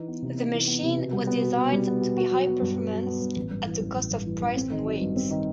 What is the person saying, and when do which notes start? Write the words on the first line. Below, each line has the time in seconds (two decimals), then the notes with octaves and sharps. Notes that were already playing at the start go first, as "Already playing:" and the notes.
The machine was designed to be high-performance, at the cost of price and weight.
Already playing: E3 D#4
0.08 B3
0.22 C3
0.37 D#4
0.53 E3
0.68 B3
0.83 C3
0.97 B2
1.12 G3
1.27 B3
1.42 B2
1.58 B2
1.72 G3
1.87 B3
2.02 B2
2.17 F#4
2.31 F#3
2.46 B3
2.62 G2
2.77 F#4
2.92 F#3
3.06 B3
3.21 G2
3.36 A1
3.51 G2
3.67 E3
3.81 A1
3.96 A1
4.11 G2
4.26 E3
4.41 A1
4.56 C4
4.71 D#3
4.85 F#3
5.01 G2
5.16 C4
5.31 D#3